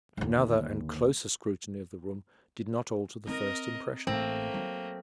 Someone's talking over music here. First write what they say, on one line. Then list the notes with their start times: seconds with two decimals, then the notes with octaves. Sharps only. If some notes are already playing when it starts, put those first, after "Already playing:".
Another and closer scrutiny of the room did not alter the first impression.
0.17 G1 D#2
3.27 C4 A#4 D#5
4.07 A1 A3 A#3 C4
4.54 F#3